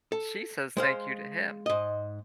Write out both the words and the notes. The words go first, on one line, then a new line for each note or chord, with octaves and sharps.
she says "Thank you" to him,
A4
G#3 C5 F5
G#2 D#5